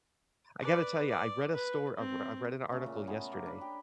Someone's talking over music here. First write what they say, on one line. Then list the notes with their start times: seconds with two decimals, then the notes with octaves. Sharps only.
I gotta tell you, I read a stor I r I read an article yesterday,
0.61 B4 D5
1.08 D5
1.53 B4
1.98 C4
2.70 C#3 A3
2.86 A#2
3.07 A3 B3 G#4 A#4
3.32 A#3
3.46 D4 B4
3.61 G4